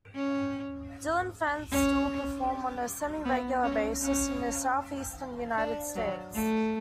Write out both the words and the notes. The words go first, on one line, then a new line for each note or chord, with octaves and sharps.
Dillon Fence still perform on a semi-regular basis in the Southeastern United States.
C#4
C#4
B3
C#4
C#4
D4
F#3
A3